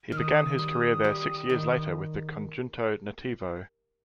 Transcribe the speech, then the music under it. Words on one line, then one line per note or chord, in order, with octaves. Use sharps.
He began his career there six years later with the Conjunto Nativo.
D#3 F6
D#6
G3 D#6
G3
D#3